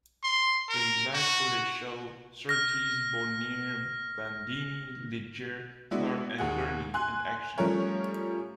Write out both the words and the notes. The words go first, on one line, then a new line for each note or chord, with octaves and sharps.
The live footage shows Surtees, Bonnier, Bandini, Ligier, Clark and Gurney in action.
C6
A#4
F#4
F6 A#6
G#3 B3 D4 E4 F#4
D#2 G#4 F#5
G#5 C6 F#6
F3 G3 A3 C#4 A#4 C#5